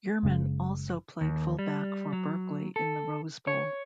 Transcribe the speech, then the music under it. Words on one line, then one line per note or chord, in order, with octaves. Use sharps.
Yerman also played fullback for Berkeley in the Rose Bowl.
F#1 C#3 G#3
D#2
G3
F#3
A4
C#5